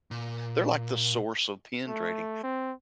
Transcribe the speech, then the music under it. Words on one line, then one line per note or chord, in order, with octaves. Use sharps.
they're like the source of pin trading.
A#2
A3
C4